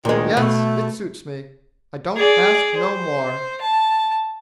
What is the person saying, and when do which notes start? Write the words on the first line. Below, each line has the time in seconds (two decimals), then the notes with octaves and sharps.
Yes, it suits me: I don't ask no more.
0.05 D2 A#2 D#3 G#3
0.37 B2 A3
2.16 G#4 D5
2.77 C5
3.61 A5